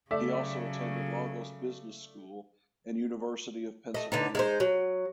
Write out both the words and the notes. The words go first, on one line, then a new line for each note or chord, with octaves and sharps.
He also attended Lagos Business School and University of Pennsylvania.
C#3 F#3 A3 D5 E5
A3 D#5
D3 B3 D#4
G#3 D#4 C5
F#3